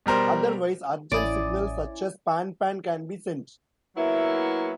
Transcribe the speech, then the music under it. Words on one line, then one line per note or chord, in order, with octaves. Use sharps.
Otherwise, urgent signals such as pan-pan can be sent.
B2 G3 A#4 C5
A1 C#4 E4 D5 G#5 D#6
F#3 A#3 B3 E4